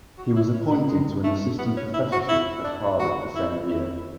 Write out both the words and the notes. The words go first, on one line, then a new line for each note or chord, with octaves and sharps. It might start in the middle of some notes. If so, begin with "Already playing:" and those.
He was appointed to an assistant professorship at Harvard the same year.
F#4
E4
C#4
B3
G#3
A3
B3
C#4
E4
F#4
E4
D4
F#4
E4
E4